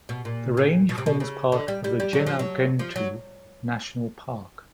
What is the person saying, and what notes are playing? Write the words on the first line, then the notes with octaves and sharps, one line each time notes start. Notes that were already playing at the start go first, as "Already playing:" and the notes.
The range forms part of the Gennargentu National Park.
B2
A#2
A#2
B2
C3
B2
C#3
D3
G3
G3
G3
F#3
F3
F#3
F3
F#3